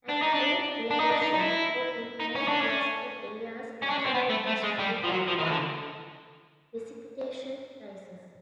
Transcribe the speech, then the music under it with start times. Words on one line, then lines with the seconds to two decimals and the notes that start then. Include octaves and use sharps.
At higher elevations or in more forested areas temperatures cool down but precipitation rises.
0.09 D4
0.22 D#4
0.34 D4
0.91 D4
1.00 D#4
1.11 D4
1.22 D#4
1.34 D#4
1.39 E4
2.20 D#4
2.35 C#4
2.48 D4
2.61 C#4
3.82 C#4
3.90 D4
3.98 C#4
4.06 C4
4.14 B3
4.30 A3
4.47 A3
4.63 G#3
4.78 G3
5.03 F3
5.12 F#3
5.28 F3
5.39 D#3
5.44 E3
5.51 D3